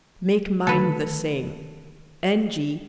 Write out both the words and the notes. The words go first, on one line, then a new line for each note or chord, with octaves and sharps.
Make mine the same. N.g.
D3 D#3 A3 A4 B4